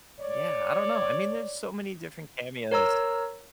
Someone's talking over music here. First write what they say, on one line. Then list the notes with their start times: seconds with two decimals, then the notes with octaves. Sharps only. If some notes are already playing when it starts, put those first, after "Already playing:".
yeah, I don't know, I mean, there's so many different cameos.
0.20 C#5 D5
2.71 A#4 C#5 A#5 E6